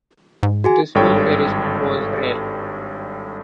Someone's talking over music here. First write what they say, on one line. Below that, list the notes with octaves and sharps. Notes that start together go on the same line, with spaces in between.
This wheel arrangement was rare.
G#2
F#4 G#4 G#5
G#1 G2 A4 C#5 G5